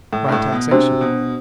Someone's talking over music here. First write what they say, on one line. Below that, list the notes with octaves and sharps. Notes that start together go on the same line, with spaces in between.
By taxation.
A2
G2
A2
B2
C3 D4 F#4 C5
B2